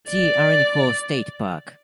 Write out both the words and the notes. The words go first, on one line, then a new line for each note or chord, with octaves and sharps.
See Iron Horse State Park.
D5